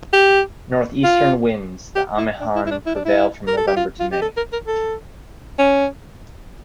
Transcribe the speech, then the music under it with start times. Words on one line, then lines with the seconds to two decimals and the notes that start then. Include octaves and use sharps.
Northestern winds, the amihan prevail from November to May.
0.13 G4
1.04 F4
1.95 G4
2.17 E4
2.40 D4
2.55 E4
2.66 E4
2.71 D4
2.86 E4
2.95 D4
3.05 E4
3.47 A#4
3.57 A4
3.67 G4
3.76 F4
4.00 F4
4.12 G4
4.22 A4
4.37 A#4
4.53 A#4
4.67 A4
5.59 C#4